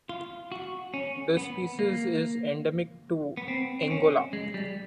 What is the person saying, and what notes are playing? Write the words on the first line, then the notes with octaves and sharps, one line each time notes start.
The species is endemic to Angola.
F4
F#4
C#4
B3
A#3
B3
C4
C4
C#4
G#3
G3